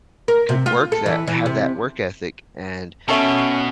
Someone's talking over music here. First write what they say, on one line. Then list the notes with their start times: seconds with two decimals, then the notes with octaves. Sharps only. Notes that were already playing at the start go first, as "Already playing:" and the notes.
could work that have that work ethic and,
0.28 A#4
0.49 C3
0.66 F4
0.92 A4
1.06 E3
1.27 E3
1.46 C3
3.08 B2 C#4 A4 C#5 E5